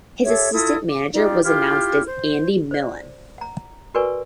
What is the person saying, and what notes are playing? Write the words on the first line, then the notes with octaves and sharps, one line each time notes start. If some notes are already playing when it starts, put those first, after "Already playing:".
His assistant manager was announced as Andy Millen.
G4 A4 C#5 E5
E4 F4 A4 D#6
D6
D#4 F4 G4 D5
E4 F4 G4 F6
C5
C5 D5
F#5 A#5
F#4 A#4 B4 D5 G#5 C#6